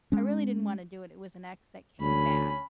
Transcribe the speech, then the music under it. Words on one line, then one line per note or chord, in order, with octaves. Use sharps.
I really didn't wanna do it, it was an ex that came back
G#3 C#4
D2 C#4 B5